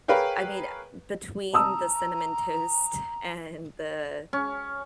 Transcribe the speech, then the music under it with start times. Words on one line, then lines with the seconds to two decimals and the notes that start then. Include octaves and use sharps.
I mean, uh, between the cinnamon toast and the
0.08 G#4 A#4 B4 C#5 F5 G5
1.53 A5 A#5 D#6 E6
4.33 C#4